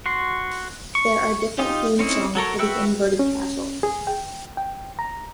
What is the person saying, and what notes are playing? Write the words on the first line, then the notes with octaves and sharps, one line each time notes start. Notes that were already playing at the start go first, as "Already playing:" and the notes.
There are different theme songs for the Inverted Castle.
F#4 C6
C#6
D#4 F4 G4
C4 C#4 D#4 E4
F#3 A4 A#4 C#5
F#4 B4 E5 G5 E6
C#4
G#4
G5
G5
A#5